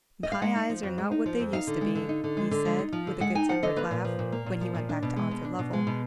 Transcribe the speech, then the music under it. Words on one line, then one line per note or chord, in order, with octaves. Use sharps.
"My eyes are not what they used to be," he said, with a good-tempered laugh, when he went back to Arthur Lovell.
D#5
F5
G#3 F#5
D#4
F3
F2
G#3
D#4
F3
F2
D#4 F5
D3
G#3
D3
D#4
D3
G#3
D3
G#3
D#4
F3
D3
G#3 F#5
D#4 G#5
F3 F#5
D3 D#5
A#3 B4
A#2
F3
A#2
A#3
A#2
F3
A#2
D4
B2
G#3
B2
D4
B2
G#3
B2